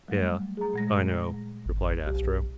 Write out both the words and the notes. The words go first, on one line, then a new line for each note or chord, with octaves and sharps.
"Yeah, I know," replied Astro.
F#3 G3 A3
G#4 A#5
A#2 G#3 A#6
G#1
B1 G4